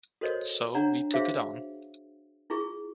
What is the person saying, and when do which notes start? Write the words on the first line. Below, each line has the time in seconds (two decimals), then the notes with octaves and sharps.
So we took it on.
0.21 F#4 A4 A#4 C5 C#5 D#5
0.75 D4 C#5 F#5 A#5
1.13 F#4 G#4 C5 C#5 E5 F5
2.50 E4 F4 G#4 C#6